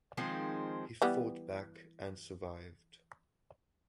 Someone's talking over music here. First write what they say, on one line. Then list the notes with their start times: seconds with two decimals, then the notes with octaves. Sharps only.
He fought back and survived.
0.17 D#3 F3 G#3 C4
1.02 E3 G3 B3